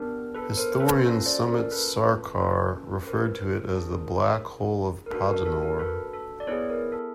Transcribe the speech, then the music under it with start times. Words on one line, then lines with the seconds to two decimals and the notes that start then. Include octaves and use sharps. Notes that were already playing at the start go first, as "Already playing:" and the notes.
Historian Sumit Sarkar referred to it as the "Black Hole of Podanur".
Already playing: B3 D4 G4 A#4
0.34 A4 B4
0.57 A#4 C5
0.72 C5
0.80 A4 B4
1.03 A#3 C#4 F4 A4
1.26 C5 D5
1.48 A#4
1.71 A4 B4
2.39 A#3 C#4 F4 A4
3.03 B4
3.07 A#4 C5
3.75 D4 F4 G#4
5.06 A#4
5.11 A#3 D4 F#4 A4 B4
5.28 A#4
5.45 A4
5.63 A#4
5.79 A4 B4
6.13 A4
6.40 D5
6.47 B3 E4 G#4 B4 C#5
6.70 A#4
6.92 A4